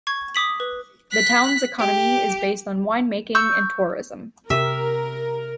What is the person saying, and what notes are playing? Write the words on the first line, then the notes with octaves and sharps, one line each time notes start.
The town's economy is based on wine making and tourism.
C#6 G#6
D6 D#6 B6 F#7
B4
F#6 B6
G4
C#6 E6 G6
C3 G4 A#4 E5